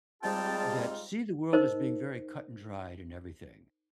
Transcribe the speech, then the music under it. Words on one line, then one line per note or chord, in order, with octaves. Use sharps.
that see the world as being very cut-and-dried and everything,
G3 G#3 C4 D#4 F4 G#4 G5 A5
D#4 A#4 C5 D#5